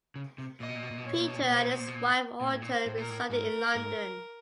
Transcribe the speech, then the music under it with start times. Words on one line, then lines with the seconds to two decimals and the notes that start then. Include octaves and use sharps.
Peter and his wife Autumn resided in London.
0.16 C#3
0.38 C3
0.60 A#2 D#5
0.68 B2
0.75 A#2
0.83 B2
0.91 A#2
0.98 B2
1.05 A#2 C#5
1.13 B2
1.20 A#2
1.28 B2
1.36 A#2
1.42 B2
1.49 A#2 C5
1.57 B2
1.65 A#2
1.72 B2
1.79 A#2
1.88 B2
1.95 A#2
2.41 A#2
2.52 A2
2.62 A#2
2.70 C5
2.86 A2
2.98 A#2 A#4
3.10 A2
3.30 G#2 A#4
3.75 G#2